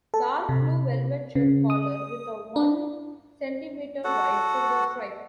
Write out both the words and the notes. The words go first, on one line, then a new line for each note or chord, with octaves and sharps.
Dark blue velvet shirt collar with a one centimetre wide silver stripe.
A4
C3
C#3
D#6
D4
F#4 A4 F#5